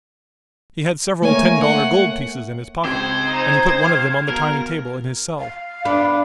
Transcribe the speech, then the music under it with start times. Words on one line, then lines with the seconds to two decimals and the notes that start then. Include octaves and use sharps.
He had several ten dollar gold pieces in his pocket, and he put one of them on the tiny table in his cell.
1.22 A3 A#3 A#4 C#5 G#5
1.62 F#5
2.84 C#2 C4 C5 G#6
3.26 D#4
3.80 F5
4.29 B2 A#4
5.39 F5
5.85 B3 D4